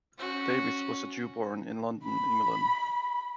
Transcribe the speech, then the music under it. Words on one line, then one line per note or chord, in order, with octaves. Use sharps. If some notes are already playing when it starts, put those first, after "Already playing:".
Davies was a Jew born in London, England.
C#4 F#4
B5